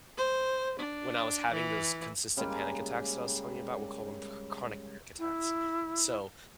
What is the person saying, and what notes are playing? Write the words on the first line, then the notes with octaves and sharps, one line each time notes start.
when I was having those consistent panic attacks that I was telling you about, we'll call them chr chronic panic attacks, so,
C5
D4
E3
C#3 G3 G#3 A#3
E4